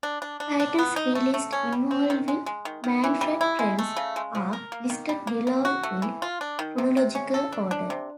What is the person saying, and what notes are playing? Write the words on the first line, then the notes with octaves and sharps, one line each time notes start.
Titles released involving Manfred Trenz are listed below in chronological order.
D4
D4
D4
D4
B3
D#4
A3
A3
C#4
G3
C4
D#3
G#3
G#3
D#3
D#3
E3
G3
E4
G#3
A3
C#3
G#3
F3
A#4
A#3
D#3
G3
A#3
A#3
F#4
A3
E3
F4
D4
D#3
C3
C3
C#4
A4
D4
D4
C3